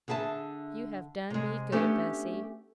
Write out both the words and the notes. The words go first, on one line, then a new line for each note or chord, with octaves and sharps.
You have done me good, Bessy.'
D3 G#4 E5 G#5 A5
C3 G#3
A3 B3 C#4 D4 G4 A4